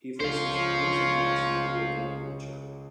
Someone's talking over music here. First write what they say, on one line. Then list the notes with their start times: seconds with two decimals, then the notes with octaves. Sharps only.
He voices Vincent Meis in the video game "The Witcher".
0.20 C#2 F4 C5 C#5 F5